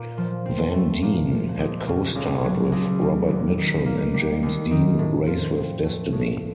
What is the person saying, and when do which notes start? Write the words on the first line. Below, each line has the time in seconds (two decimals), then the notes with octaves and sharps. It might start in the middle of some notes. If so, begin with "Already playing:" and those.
Van Dien had co-starred with Robert Mitchum in "James Dean: Race with Destiny".
Already playing: A#2
0.18 F3
0.46 C4
0.74 A3
1.02 A#2
1.31 F3
1.58 C#2
1.88 C#3
2.15 C#2
2.44 F#3
2.72 C#2
3.01 C#3
3.29 D#2
3.58 D#3
3.86 A#3
4.14 G3
4.43 D#2
4.71 D#3
4.99 A2
5.27 F3
5.55 C4
5.83 A3
6.13 A2